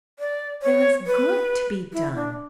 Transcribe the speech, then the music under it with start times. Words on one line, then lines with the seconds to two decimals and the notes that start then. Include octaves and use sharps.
There is good to be done!
0.19 D5
0.62 C#5
1.06 B4
1.93 E4
2.15 D4